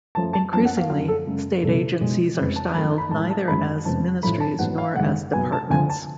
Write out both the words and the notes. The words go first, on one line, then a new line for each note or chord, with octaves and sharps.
Increasingly, state agencies are styled neither as ministries nor as departments.
F#2 F3 A3 A5
A5
F#2 F3 B3 A5
F#5
F5
F#2 D3 F#3 F5
A4
F#2 C#3 G#3
C#2 B2 F#3 A3 A4
B1 B2 G#3
F1 F2 C#3 G#3 B4
A5
G#1 F#2 F3 A3 B5
B5
A1 A2 G#3 A5
A5
G#1 F#2 D3 F3 G#3 B5
F1 F2 C#3 G#3 B3 A5
A1 A2 F3 A3 B5
A5
A1 G#2 F#3 B3 F#5
F5
G#1 F#2 C#3 G#3 F#5
B1 B2 F#3 B3 G#5
A5
D2 D3 F3 G#5
A5